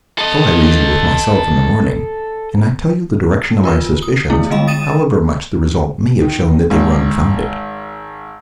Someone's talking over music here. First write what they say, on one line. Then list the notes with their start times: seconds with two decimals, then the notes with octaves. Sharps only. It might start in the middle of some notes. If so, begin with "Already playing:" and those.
So I reasoned with myself in the morning, and I tell you the direction of my suspicions, however much the result may have shown that they were unfounded.
0.18 A4 D#5
3.64 F4 A#4 B4
4.03 D#6
4.30 A3 B3 E4 G#4
4.50 D3 G3 G#3 D#5 F5 B5
4.67 D#6 A6 D#7 E7
6.21 D#3
6.70 G#1